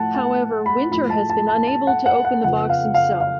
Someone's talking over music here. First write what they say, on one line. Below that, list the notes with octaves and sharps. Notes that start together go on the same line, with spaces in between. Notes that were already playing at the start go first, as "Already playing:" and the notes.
However, Winter has been unable to open the box himself.
Already playing: A2 F3 A3 F4 F#5 A5
A5
B5
A2 F3 A3 F4 B5
A5
A5
A5
A5
F#5
F#5
F#5
F2 C#3 F3 B3 F#5
F5
F5
F5